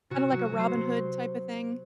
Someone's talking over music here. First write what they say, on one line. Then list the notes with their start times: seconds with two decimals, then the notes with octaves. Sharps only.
Kinda like a Robin Hood type of thing.
0.10 C3 F#4
0.31 F#3 F#4
0.45 F#4
0.52 F#3
0.59 C5
0.73 C3